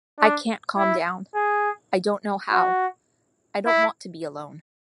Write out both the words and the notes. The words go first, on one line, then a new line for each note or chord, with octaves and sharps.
I can't calm down. I don't know how. I don't want to be alone.
D4
E4
G#4
F#4
E4